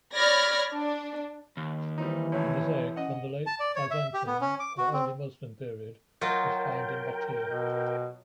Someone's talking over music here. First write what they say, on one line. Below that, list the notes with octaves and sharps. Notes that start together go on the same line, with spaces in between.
A mosaic from the late Byzantine or early Muslim period was found in Battir.
C#5 D5 B5 F6 G#6 A#6
D4
D#2
E3 G3 C4 D#4
B1 F#2 A2 C#5
C#4 D#5 F#5
A5
D5
C#5
E5
G4
B3
C#4
D6
F#4
C4
F#3 F4 A#4 D#5 G5
B2